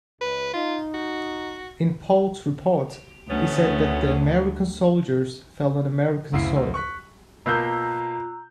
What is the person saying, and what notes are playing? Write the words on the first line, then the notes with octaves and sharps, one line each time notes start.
In Polk's report, he said that the American soldiers fell on American soil.
C#2 B4
D#4 F4
F#4
D2 A3 B3 C#4
F#1 D2 C#3 E4 C7
D2
C#6 F#6 B6
B2 A#3 F4 A#5 E6 F#6 G6